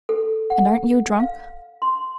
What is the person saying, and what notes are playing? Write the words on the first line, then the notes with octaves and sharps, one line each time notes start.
And aren't you drunk?
A4
F#5
F5
C6